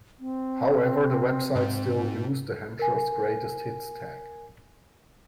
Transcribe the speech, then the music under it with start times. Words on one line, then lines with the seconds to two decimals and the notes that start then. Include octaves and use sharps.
However the website still used the Hampshire's Greatest Hits tag.
0.19 C4
1.56 G#2
2.79 A#4 G#5